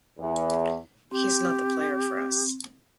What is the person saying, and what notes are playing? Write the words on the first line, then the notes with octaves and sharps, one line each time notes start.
He's not the player for us.
E2
C4 G4